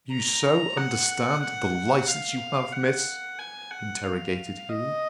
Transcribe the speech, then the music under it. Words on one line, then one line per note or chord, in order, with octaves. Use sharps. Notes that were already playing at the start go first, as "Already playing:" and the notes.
Do you so understand the license you have, Miss? interrogated he.
A#5
F#5
F#5
F5
F#5
G#5
F#5
F5
D#5